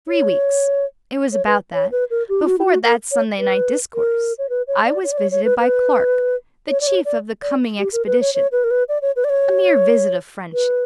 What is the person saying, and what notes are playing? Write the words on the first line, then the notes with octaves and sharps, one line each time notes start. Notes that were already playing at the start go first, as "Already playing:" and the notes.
Three weeks--it was about that--before that Sunday night discourse, I was visited by Clark, the chief of the coming expedition--a mere visit of friendship.
C#5
C#5
B4
C#5
B4
A#4
G4
E4
F#4
E4
F#4
A#4
C#5
B4
A#4
C#5
B4
C#5
D5
C#5
D5
C#5
C#5
B4
B4
C#5
D5
C#5
D5
D5
G4
A#4
B4
C#5
C#5
B4
A#4
B4
D5
C#5
B4
D5
C#5
B4